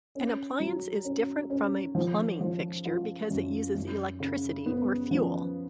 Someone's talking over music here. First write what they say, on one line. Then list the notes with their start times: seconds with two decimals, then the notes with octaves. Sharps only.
An appliance is different from a plumbing fixture because it uses electricity or fuel.
0.15 C#4
0.60 F#3
1.04 C#4
1.50 C#4
1.95 F3
2.41 F3
2.85 F4
3.31 F#2
3.75 F#2
4.20 C#3
4.66 B3
5.11 F3